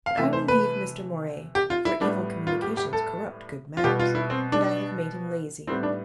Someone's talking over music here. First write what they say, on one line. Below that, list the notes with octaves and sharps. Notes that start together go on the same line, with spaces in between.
But I will leave Mr. Moray, for 'evil communications corrupt good manners,' and I have made him lazy.
F5
C3 E3 A3 E5
C5
B4
G4
F4
E4
A2 G3 B3 D4
F4
G4
G4
A4
F4
B2 G3 B3 G4
F4
E4
C4
D4
A2 G3 B3 C4
D4